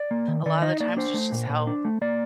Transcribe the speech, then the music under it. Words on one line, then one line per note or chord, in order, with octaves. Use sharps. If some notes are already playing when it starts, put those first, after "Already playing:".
a lot of the times, that's just how,
Already playing: D5
A#3
D#3
D#3 D5
D#4 D#5
A#3 D5
D4 C5
A3
A#2
A#2
D4
A3
A#3 D5